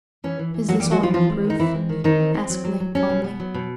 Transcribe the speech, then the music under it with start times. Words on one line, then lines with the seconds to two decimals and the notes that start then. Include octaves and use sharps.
"Is this all your proof?" asked Link calmly.
0.24 E3 C#4
0.39 E3
0.54 E3
0.69 F#3 A#3 F#4
0.80 G3 G4
0.84 E3
0.91 F#3 F#4
0.99 E3 F3 F4
1.14 F3 C4 F4
1.29 G#3
1.44 D#3
1.50 D#4
1.59 E3 C4 E4
1.74 G#3
1.89 D#3
2.04 D#3 C4 D#4
2.19 C4
2.34 C4
2.50 F#3
2.64 F#3
2.80 F#3
2.95 F#3 C#4
3.09 B2
3.24 B3
3.40 F#3
3.54 B2